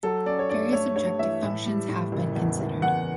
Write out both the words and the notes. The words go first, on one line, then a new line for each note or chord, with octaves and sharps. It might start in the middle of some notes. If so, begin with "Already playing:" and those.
Various objective functions have been considered.
F#3 A4
C#4 D5
C#5
G2 D5
A3 C#5
G2 C#5
E3 E5
A2
G3
A2
F#1
E2
F#1
E2 F#5